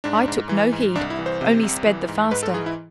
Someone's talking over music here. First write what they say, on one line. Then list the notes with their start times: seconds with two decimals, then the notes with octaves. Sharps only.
I took no heed--only sped the faster.
0.04 G#2 D4
0.28 G#2
0.49 E3
0.72 G#2
0.95 C2 D4
1.10 E4
1.19 E3
1.26 C5
1.41 C3
1.63 C2
1.86 E3
2.08 G#2
2.31 G#2 B4
2.43 A4
2.54 E3 G#4
2.66 E4